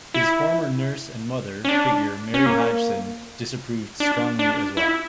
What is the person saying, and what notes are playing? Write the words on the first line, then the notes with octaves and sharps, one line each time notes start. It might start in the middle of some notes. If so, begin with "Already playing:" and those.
His former nurse and mother figure Mary Hodgson disapproved strongly as well.
E4
C#4
D4
C#4
A#3
D4
D4
E4